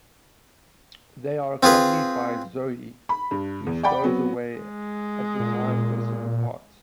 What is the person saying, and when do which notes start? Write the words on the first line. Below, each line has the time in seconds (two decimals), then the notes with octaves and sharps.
They are accompanied by Zoe, who stows away as the time vessel departs.
1.63 C4 F4 G#4 B4
3.09 B5
3.31 G2
3.66 E2
3.83 D5 F#5 G5 B5
4.03 F#3 B3 C4
4.56 G#3
5.40 A#2